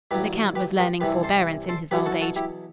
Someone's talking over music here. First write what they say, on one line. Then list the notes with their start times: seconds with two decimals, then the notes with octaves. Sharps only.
The count was learning forbearance in his old age.
0.11 A1 G2 F#3 G4 B4
0.55 G4 B4
0.79 G4 B4
1.01 C2 C3 E3 G4 B4
1.23 A4 C5
1.69 A4 C5
1.91 E2 B2 F#3 G4 B4
2.06 F#4 A4
2.21 F#4 A4
2.36 E4 G4